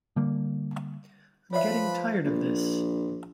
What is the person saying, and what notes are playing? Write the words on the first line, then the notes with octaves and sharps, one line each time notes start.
I’m getting tired of this.
D3 G3 A#3
F3 B4 C#5 D5 E5 B5
A#1